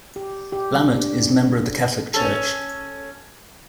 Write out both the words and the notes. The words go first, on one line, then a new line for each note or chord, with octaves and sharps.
Lammert is member of the Catholic Church.
G4
G4
G3
D4
C#4 A4